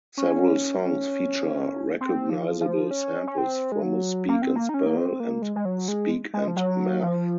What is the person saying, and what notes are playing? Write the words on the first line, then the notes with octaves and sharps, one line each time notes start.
Several songs feature recognizable samples from a Speak and Spell and Speak and Math.
C#4
C4
F3
F3
C#4
C#4
C4
G#3
F#3
A#3
C4
A#3
D#4
C#4
A#3
C4
A#3
G#3
G#3
F#3
G#3
G#3
F3
F#3
F3